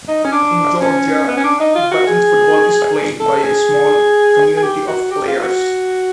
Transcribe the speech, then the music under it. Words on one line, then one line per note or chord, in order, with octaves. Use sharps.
In Georgia button football is played by a small community of players.
D#4
C#4
D4
C#4
B3
C#4
D4
D#4
F4
F#4
G#4
A4
G#4
G#4
G4
F#4
G4
F4
F4
F#4